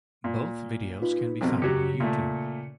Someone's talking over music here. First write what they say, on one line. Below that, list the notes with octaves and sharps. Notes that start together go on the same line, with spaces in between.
Both videos can be found on YouTube.
A#2
D#4 F4 B4
C2 F2 B2
C#3 F#3 G4 C#7
A#2 A3